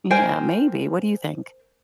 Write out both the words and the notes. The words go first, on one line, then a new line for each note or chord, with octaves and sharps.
Yeah, maybe, what do you think?
A#4 C5 G5 G#5